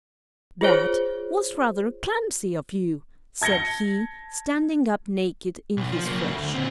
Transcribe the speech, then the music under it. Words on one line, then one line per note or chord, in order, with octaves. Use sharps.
'That was rather clumsy of you,' said he, standing up naked in his flesh.
F4 G#4 C5 C#5
A5 G#6 A#6 C#7 G7
B1
F3
F#3 A#3
D2
A#2 C4